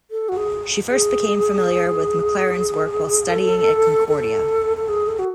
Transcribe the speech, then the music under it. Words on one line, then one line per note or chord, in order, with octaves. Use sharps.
She first became familiar with McLaren's work while studying at Concordia.
A4
F#4
G#4
G#4
A4
A4
A4
G#4
A4
F#4